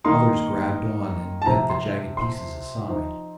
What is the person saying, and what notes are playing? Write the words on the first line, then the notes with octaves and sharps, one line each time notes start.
Others grabbed on and bent the jagged pieces aside.
D#3 A#3 D#4 C6
A5
C3 F3 C4 A#5
C6
C6
F3 C4 D#4